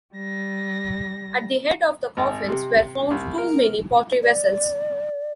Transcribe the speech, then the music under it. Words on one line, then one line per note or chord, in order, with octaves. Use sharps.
At the head of the coffins were found too many pottery vessels.
G3 A#6
G#1
C3
C2
A#4
D5